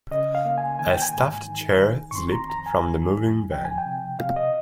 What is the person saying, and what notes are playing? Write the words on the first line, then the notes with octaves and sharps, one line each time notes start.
A stuffed chair slipped from the moving van.
C#3 D#5
F5
A#3
G#5
D#3 G#5
G5
G#5
G#2
D#3
D#3
C#6
C4 C6
A#5
F2 A#5
G#5
D#3
F2
F3 G5
G#5
G5
C3
C3 F5
D#5